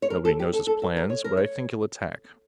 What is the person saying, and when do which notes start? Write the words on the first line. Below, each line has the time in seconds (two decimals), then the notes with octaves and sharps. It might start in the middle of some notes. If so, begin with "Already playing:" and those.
Nobody knows his plans, but I think he'll attack.
0.02 C#5
0.10 A#4
0.25 A4
0.39 G4
0.53 A4
0.67 A4
0.82 A4
0.97 A#4
1.10 C#5
1.24 A#4
1.37 C#5